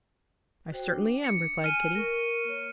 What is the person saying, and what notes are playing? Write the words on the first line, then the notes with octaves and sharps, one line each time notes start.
"I certainly am," replied Kitty.
F#4 C5 G5
D4
C#7
G#5 F6 D#7
A#4 C#6
A#3 C#5